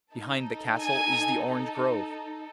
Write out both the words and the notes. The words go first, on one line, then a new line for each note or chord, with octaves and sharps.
Behind the castle is the orange grove.
D#4 A4
G#5